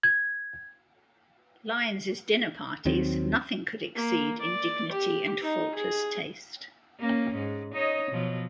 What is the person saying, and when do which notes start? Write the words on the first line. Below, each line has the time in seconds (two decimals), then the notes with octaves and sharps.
Lyons's dinner parties 'nothing could exceed' in 'dignity and faultless taste'.
0.03 G#6
2.85 D#2 D#3 F#3 C4
3.96 A#3
4.41 D5
4.92 G4
5.42 D#4
5.75 G#4
7.00 A#3 C#4
7.35 G#2
7.73 D#4 C#5 D#5
8.11 B2 F3 F#3